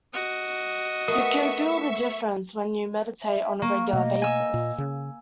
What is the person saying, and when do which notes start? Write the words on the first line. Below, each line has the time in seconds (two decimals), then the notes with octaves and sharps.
You can feel the difference when you meditate on a regular basis.
0.13 F#4 D#5
1.08 A3 B3 A#4 E5 C#6 D#6
3.23 E5
3.62 A#3 C#6
3.93 B2 A3 D#5
4.22 G#5 E6
4.54 A#2
4.78 C#3